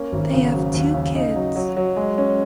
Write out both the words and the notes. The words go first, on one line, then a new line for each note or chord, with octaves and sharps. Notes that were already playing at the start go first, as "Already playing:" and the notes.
They have two kids.
Already playing: A#3 C#4
G#1
C#3
F#3
D#2
C#3
D#4
F#3
F#3
F#3
G#3
C#4